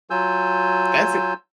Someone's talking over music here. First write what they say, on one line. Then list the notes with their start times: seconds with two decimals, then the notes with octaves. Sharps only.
that's i
0.10 F#3 F4 G#5 E6 G6